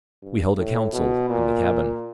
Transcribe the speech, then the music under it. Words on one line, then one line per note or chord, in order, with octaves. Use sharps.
We held a council in the cabin.
G2
A2
B2
A#2